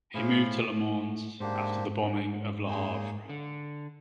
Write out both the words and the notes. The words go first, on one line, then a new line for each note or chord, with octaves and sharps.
He moved to Le Mans after the bombing of Le Havre.
A2 E4 G#4 C5 F5
G#2 A#3 D4 G4 C5
G#2
A#3 D#4 G#4
D3